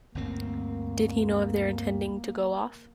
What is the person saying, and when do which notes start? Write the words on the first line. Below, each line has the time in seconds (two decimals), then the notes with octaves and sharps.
Did he know of their intending to go off?
0.15 G1 D2 A#3 C4